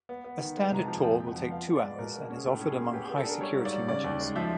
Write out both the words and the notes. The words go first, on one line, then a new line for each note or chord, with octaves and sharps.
A standard tour will take two hours and is offered among high security measures.
B3
B3
D#3
G#3
C3 A#5
F3 A5
G#5
F2 G5
F2
F#5
F3
B3 F5
B3
D5
G#3
B2 A#4
A#3
C#4
G#4
A2 A4
C#4
G#4
A#3
B3 G4
B3 G#4
A4
D4 A#4
G3 C#5
G#2
D5
G3
C#3 D5
D#2
G#3
F3 E5